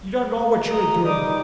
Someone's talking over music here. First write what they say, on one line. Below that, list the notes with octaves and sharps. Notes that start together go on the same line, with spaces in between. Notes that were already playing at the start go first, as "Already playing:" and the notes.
You don't know what you are doing.
D#5 A#5
G3 D#4 D6 D#6